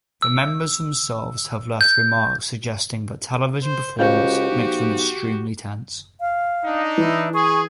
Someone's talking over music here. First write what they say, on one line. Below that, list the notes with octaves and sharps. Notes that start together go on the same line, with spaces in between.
The members themselves have left remarks suggesting that television performances make them extremely tense.
E6
G6
C5
C#2 F#4 G4 C5 F5 G6
B1
F5
D4 D#4
E3 E4
G#4 C#6